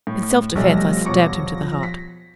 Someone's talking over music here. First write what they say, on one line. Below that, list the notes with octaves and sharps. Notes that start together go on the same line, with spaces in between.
In self-defence I stabbed him to the heart.
A2
B1 F3 G3 A3 A#6
E1 C#6 D6
B6